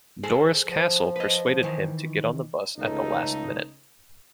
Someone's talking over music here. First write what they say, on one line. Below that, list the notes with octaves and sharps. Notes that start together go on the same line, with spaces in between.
Doris Castle persuaded him to get on the bus at the last minute.
G#4 A4 C5
F3
B4 D#5
D#3 E3
C#2 A3 D#4